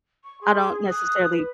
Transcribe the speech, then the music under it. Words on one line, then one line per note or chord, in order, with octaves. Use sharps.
I don't necessarily
C#6
G#4 C6
D#6 F#6
B4